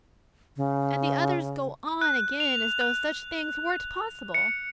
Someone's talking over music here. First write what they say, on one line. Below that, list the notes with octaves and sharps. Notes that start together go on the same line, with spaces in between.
And the others go on again as though such things weren't possible.
C#3
F#6
F7
F#6
C#7